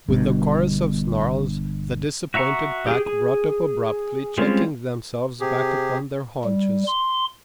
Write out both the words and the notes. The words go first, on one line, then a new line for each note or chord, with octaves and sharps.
With a chorus of snarls, the disappointed pack brought up abruptly, checking themselves back upon their haunches.
G1 G2 B2
F#4 E5 A#5 C#6
G4 G#4
G#4
G3 G#3 C4 C#4 F4
C3 G4 G#4
G3
C6